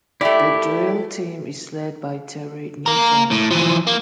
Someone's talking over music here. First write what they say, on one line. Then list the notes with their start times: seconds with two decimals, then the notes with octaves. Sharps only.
The Drill Team is led by Terry Newsome.
0.21 A3 E4 G4 D5
2.86 A#3 A#4
3.31 A2
3.51 E3 F3
3.87 A#3